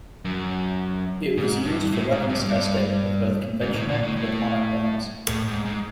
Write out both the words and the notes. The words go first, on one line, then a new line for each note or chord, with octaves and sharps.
It was used for weapons testing with both conventional and atomic bombs.
F#2
G#2
G2
A2
G#2
G2
G2
G#2
A2
A#2
A2
A2
A2
G#2
G#2